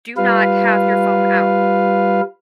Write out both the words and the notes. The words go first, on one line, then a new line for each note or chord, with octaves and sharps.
do not have your phone out."
G3 F4 B4 F5